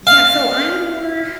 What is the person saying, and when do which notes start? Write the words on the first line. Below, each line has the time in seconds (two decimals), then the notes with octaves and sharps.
Yeah, so I'm more
0.07 F5